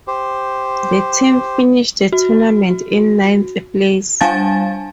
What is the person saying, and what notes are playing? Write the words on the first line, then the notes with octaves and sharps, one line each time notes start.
The team finished the tournament in ninth place.
G4 C5
F#4
G3 D4 F5 G#5 A5 A6